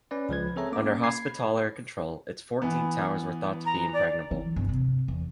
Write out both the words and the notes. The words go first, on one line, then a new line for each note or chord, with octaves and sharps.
Under Hospitaller control, its fourteen towers were thought to be impregnable.
C#4 B4 D5
C#2 F3 B4 G#6
C4 G#4 A4 C#5 E5 A#5
A#3 C#4 D6
B5 G#6 C7
E3 B3
A#5
D5
E3
G1
C3
E2